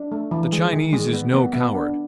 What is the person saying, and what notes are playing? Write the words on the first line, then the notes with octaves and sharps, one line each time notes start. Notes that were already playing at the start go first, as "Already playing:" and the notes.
The Chinese is no coward.
Already playing: D4
A3
E3
G#3
D#3
G#3
B3
B3
B3
D4